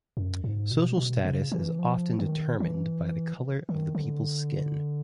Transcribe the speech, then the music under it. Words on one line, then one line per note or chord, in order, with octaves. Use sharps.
Social status is often determined by the color of the people's skin.
F#2
G#2
B2
B2
C#3
E3
F3
D#3
E3
D#3
D3